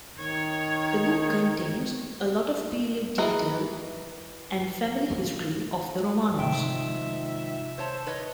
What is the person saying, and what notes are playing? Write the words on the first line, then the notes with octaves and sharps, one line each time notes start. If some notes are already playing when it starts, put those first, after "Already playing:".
The book contains a lot of period detail and family history of the Romanovs.
D#3 C#5
E3 G#4 B4 D#5 A#5
G#2 C3 D#3 F3 E5 G5
C5 C#5 A5
B4 C#5 D#5